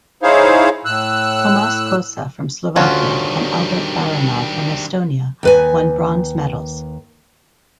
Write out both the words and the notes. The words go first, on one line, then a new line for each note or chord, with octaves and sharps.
Tomas Kosa from Slovakia and Albert Baranov from Estonia won bronze medals.
D#4 E4 G#4 C5 C#5 F5
A2 E6 F#6
D2 D#3 G3 C#4 F4 F#4
D#2 B4 G#5